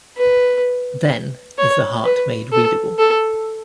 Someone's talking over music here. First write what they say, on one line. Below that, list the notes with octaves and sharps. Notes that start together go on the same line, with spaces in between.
Then is the heart made readable.
B4
C#5
B4
A4
A4